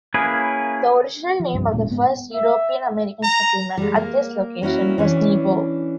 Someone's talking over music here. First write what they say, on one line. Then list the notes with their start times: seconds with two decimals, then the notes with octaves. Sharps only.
The original name of the first European-American settlement at this location was Nebo.
0.14 A#3 C#4 E4 G#4 B4
1.40 F3
1.53 C2 G2
1.72 D#1 A#2 C#3 G#3
1.90 G#2 B3
2.34 E5
3.23 A#5
3.77 G3 G#3
3.96 A#3
4.62 A#3 C#4 E4 F#4
4.98 E3 C#4 D4